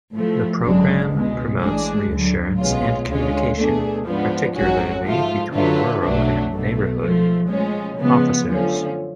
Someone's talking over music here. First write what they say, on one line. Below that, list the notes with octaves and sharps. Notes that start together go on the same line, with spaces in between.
The programme promotes reassurance and communication, particularly between rural and neighbourhood officers.
A2 F3 A3
G#1 F#2 D3 G#3 D4
C#2 B2 G#3
A1 A2 G#3 D4 G#4
D2 D3 F#3
B1 B2 G#3 C#4 F4
D2 D3 G#3 C#4 F4
B2 A3 D4 G#4
G#2 F3 B3 D4
A1 G#2 F#3 C#4 F#4
G#2 F3 A3 F4
D3 F#3 A3 F4 B4
B1 A2 F#3 A3 D4
B1 B2 A3
G#2 F3 A3
A2 F3 G#3 C#4
C#3 F3 G#3 B3
F#2 D3 F3 A3 C#4